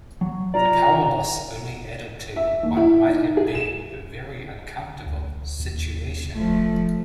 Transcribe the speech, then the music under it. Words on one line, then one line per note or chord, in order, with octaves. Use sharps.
The power loss only added to what might have been a very uncomfortable situation.
F#3
C2 F4 D5 A#5
E5
D#2
E4
D#4
G#4
E7
D2
D#2
F1 F3 A3